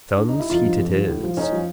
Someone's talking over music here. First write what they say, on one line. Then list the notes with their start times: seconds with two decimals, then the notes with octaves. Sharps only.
Sun's heat it is.
0.17 D4
0.29 D#4
0.40 E4
0.49 F2 D#4 F4
0.65 D3 F3
0.79 F2
0.94 D3 F3
1.07 A2
1.23 F3
1.37 A2 C#4 D#4
1.52 F3